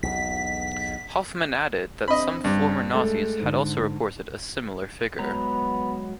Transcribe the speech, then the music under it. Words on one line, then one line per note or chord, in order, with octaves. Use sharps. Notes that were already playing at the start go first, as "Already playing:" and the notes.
Hoffmann added, that some former Nazis had also reported a similar figure.
B1 E2 B2 B6
C4 D4 D#5 B5
G2
G#3 A3 A4
G#2 D3
F#3 G#3 B3 A#5